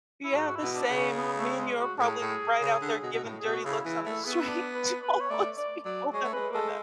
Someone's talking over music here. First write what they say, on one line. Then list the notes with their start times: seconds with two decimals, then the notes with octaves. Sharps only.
Yeah, the same, me and you are probably right out there giving dirty looks on the street to all those people that are doing that.
0.24 E4
0.33 G#2 F#4
0.47 F#4
0.55 E4
0.62 B2
0.75 D4
0.89 C#3
0.96 C#4
1.17 B3
1.37 A3
1.58 G#3
1.79 F#4
1.99 A2 G#4
2.20 A2
2.62 C#3
2.82 D3
3.03 B2
3.13 B2
3.24 A2
3.40 B2 G#4
3.53 F#4
3.65 C#3 E4
3.85 E3
4.06 A3
4.24 B3 G#4
4.32 F#4
4.40 E4
4.48 D4
4.75 B4
5.02 B4
5.20 C#5
5.30 A3 D5
5.58 D5
5.85 F#3 D5
6.13 G#3 C#5
6.24 A3
6.33 G#3 B4
6.54 G#3 A4